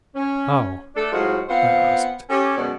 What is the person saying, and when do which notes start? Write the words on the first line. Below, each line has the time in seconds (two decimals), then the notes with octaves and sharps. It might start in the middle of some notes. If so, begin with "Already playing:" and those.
"How?" I asked.
0.15 C#4
0.96 A3 D4 A4
1.12 A2 F#3 G#3 F4 F#4 C5
1.49 B3 C4 F4 C5 F5 F#5
2.29 C#4 G4 A4
2.58 F#2 B2 G#3 B3 F#4 D5